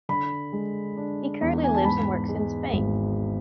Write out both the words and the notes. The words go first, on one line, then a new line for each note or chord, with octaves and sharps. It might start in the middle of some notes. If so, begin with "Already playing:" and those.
He currently lives and works in Spain.
D3 B5
G#3
D4
E2
G#5
A5
G#2 B5
G#3
G#1